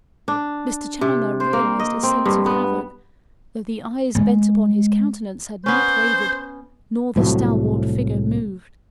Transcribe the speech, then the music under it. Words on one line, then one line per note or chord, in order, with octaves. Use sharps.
Mr. Challoner realised a sense of havoc, though the eyes bent upon his countenance had not wavered, nor the stalwart figure moved.
D4
C3
C5
A#3
D#5
C4
G2
B3
G#3
B3 C#4 C5
C2 A2 F3 F#3